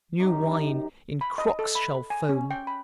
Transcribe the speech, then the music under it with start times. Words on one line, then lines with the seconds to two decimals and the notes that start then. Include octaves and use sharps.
New wine, in crocks Shall foam!
0.20 F#2 D#4 G4
1.21 B5
1.38 D#5
1.59 A4
1.75 B5
2.10 G#5
2.29 C#4
2.51 G5
2.67 B5